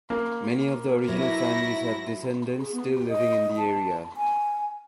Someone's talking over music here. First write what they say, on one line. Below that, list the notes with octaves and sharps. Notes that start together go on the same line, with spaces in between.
Many of the original families have descendants still living in the area.
A#3
F#3 E4 B4 A#6
G#4
B3
G4
D#5
A5
G#5